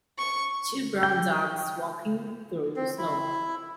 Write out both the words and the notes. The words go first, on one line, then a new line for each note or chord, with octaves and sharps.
Two brown dogs walking through snow.
C#6
G5
C4
E4